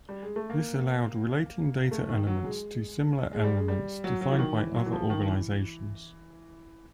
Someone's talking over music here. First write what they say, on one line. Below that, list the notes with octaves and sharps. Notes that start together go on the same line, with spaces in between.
This allowed relating data elements to similar elements defined by other organizations.
G3
G#3
A3
A#3
A3
D#3
F#3
G#3
G#3
G3
G#3
G3
F#3
F#3
E3
D#3
E3
F#3
E3
F3
D#3
E3